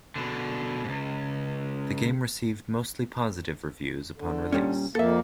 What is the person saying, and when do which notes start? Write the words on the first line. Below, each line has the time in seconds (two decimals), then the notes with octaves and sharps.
The game received mostly positive reviews upon release.
0.16 B2 D3
0.84 C#2 G#2
4.17 D3
4.52 A#2 G3 C#4
4.95 F2 A#3 A4 E5